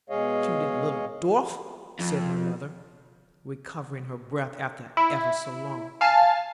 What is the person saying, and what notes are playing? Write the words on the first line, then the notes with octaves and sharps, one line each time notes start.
'Impudent little dwarf!' said my mother, recovering her breath after ever so long.
B2 G#3 G#4 C#5 D#5 F5
F2
E4
F5 G#5 A5 F6